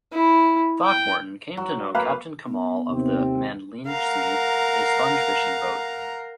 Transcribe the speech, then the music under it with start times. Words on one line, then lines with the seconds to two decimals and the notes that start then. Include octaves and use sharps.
Throckmorton came to know Captain Kemal of the "Mandlinci", a sponge fishing boat.
0.12 E4
0.85 G5
1.57 F#3
1.95 A#3 B4 F5
2.46 B3
2.89 D#2 C3 C4
3.87 A#4 F5 F#5 A#5